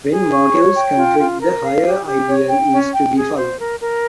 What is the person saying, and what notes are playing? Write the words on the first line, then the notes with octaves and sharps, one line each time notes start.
When motives conflict, the higher ideal is to be followed.
G#4
C#6
C#5
G5
F4
F4
A#4
F5
G4
G4
C#5
G5
C#4
G5
G#4
C5
A#4
A#4